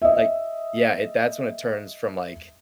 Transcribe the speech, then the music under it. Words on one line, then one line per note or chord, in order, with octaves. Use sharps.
like Yeah, it that's when it turns from like
D#5 E5